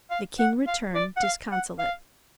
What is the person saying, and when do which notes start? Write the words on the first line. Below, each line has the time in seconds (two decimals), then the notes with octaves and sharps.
The king returned disconsolate.
0.10 F5
0.39 F#5
0.67 F5
0.95 D5
1.16 F#5
1.23 F5
1.52 F#5
1.79 F5